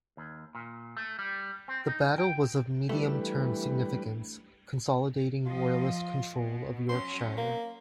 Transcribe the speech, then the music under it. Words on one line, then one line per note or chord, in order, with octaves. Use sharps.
The battle was of medium term significance, consolidating Royalist control of Yorkshire.
D#2
A#2
A3
G3
C4
D#4
G5
E3 G3 A3 D4 B4
F3 F4 D#5
B2
F#3 C#4 C6
A#3